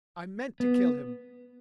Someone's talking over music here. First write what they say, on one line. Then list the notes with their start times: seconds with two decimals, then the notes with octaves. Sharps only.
I meant to kill him.
0.60 B3